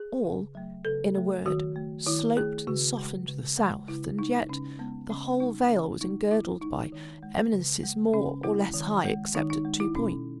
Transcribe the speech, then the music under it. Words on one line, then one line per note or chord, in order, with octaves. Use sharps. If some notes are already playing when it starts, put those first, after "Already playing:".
All, in a word, sloped and softened to the south; and yet the whole vale was engirdled by eminences, more or less high, except at two points.
Already playing: G#4
C#3
F#3 A3
C#3 A4
F#3 A3
D#3 F#4
A3
D#3 E4
A3 G#4
C#3 F#4
G#3
C#3
G#3
C#3 E4
G#3 D#4
C#3 C#4
G#3 B3
C#3 C#4
G#3 D#4
C#3 C#4
G#3 D#4
D#3 E4
G#3 D#4
D#3
G#3
C#3
G#3
C#3 C#4
G#3 E4
D#3
G#3
D#3 D#4
D#4
G#3
E4
B2 C#4